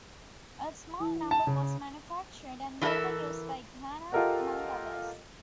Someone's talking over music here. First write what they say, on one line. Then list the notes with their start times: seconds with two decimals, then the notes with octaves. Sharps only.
A small number was manufactured, and they were used by Ghana, among others.
1.00 E3
1.31 A5
1.47 C#3
2.81 E3 F4 A4 A#4 E5
4.12 F4 G4 A4 A#4 D#5 F#5